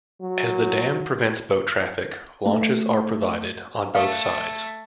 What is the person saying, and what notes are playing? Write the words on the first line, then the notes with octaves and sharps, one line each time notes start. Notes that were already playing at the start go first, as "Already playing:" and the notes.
As the dam prevents boat traffic, launches are provided on both sides.
F#3
A3
A3 F5